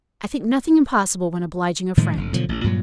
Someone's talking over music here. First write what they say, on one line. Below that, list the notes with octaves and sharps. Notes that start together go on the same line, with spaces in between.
"I think nothing impossible when obliging a friend."
A2 D#3 F3 G#3
F1
B2 D3 F3 F#3
A1
G2 A#2 F#3